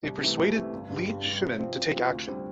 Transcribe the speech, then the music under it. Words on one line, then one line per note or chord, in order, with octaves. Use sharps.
They persuaded Li Shimin to take action.
C2
C3 E3 A3
C2
C3 E3 A3
G1
G2 D3 G3
G1
G2 D3 G3
C3
F3 C4
C3
F3 C4
D2
D3 G3 C4